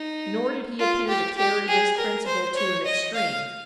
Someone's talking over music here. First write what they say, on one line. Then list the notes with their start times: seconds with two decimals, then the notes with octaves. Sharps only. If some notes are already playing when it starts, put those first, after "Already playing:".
Nor did he appear to carry this principle to an extreme.
Already playing: D#4
0.79 F4
1.08 G4
1.37 G4
1.68 G#4
1.97 A#4
2.26 C5
2.56 C#5
2.86 D#5
3.15 F5